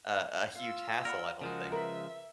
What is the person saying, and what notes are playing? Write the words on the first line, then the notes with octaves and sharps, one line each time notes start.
a a huge hassle, I don't think.
F4 F5 E6
A#4 D5 F#5 B5
C#3 F3 G#3 F#4 A#4
A#4 B4 E5